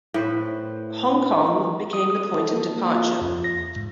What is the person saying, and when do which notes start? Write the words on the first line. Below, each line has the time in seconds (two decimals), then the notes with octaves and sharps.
Hong Kong became the point of departure.
0.14 A2 B4 C5
1.93 D#6
2.10 D#6
2.38 A4
2.53 A#3
2.94 F4
3.21 F2
3.44 A#6
3.76 G#2